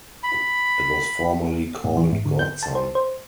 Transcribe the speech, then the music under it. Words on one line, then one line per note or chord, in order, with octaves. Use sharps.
It was formerly called Godson.
B5
A2
E3
G#2
D3
G6
A5
C5
C5